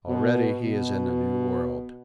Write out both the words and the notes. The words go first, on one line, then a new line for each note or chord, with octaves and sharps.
Already he is in a new world.
B2
B2